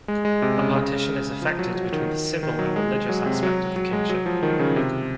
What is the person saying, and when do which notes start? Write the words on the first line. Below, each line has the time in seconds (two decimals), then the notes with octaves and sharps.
A partition is effected between the civil and the religious aspect of the kingship.
0.08 G#3
0.25 G#3
0.42 C3
0.58 C#3
0.75 C#3
1.42 F3
1.59 F#3
1.75 F#3
1.92 D#3
2.43 D#3
2.59 F#3
2.76 G#3
3.09 F#3
3.26 C3
3.43 F#3
3.76 F#3
3.93 G#3
4.10 F#3
4.26 F3
4.43 D#3
4.59 C#3
4.76 C3